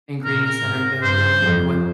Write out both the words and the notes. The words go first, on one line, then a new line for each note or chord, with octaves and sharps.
ingredients that are available or what
A#2 A#4
A#4
G#2
G2 C5
F2